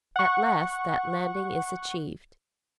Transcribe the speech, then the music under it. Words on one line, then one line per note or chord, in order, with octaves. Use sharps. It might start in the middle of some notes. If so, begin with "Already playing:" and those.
At last that landing is achieved.
F#5 C#6